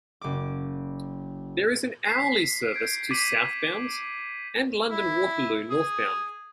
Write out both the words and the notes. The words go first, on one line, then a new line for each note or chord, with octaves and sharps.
There is an hourly service to southbound and London Waterloo northbound.
F#1 D6
B6 C7
G6 G#6 D7
D6 B6 D#7 F#7
E4
G#4